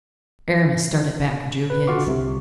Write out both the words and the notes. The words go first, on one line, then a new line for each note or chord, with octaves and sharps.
Aramis started back and drew his.
B4
D3 F4 F#4 F5 C#6 D6
C2 C3